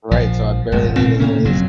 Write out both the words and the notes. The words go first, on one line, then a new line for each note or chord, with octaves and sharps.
Right, so I barely leave as it is.
A#1 F3
D#1 G#1 G#3
A#2 C4
A2 C#3 A#3 C#4
F#1 F2 B2 F#3